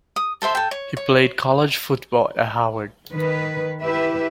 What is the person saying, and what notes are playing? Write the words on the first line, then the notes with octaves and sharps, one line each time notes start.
He played college football at Howard.
D#6
A4 C5 E5 C6
A4 G5
C#5
C#5
D#3 B4
E4 G4 B4 E5